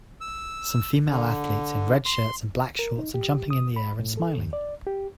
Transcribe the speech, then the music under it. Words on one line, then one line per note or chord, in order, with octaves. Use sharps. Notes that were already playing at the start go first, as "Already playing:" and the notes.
Some female athletes in red shirts and black shorts are jumping in the air and smiling.
E6
D3
C6
A#4
D#4
G4
D#6
B5
A2
A4
D#2
D5
G4